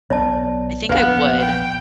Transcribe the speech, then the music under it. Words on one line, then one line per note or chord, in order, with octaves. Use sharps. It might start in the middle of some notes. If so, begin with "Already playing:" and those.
I think I would,
B1 B3 C#5 D5 A5
A#1 E2 C3 B3 B4 F5
G5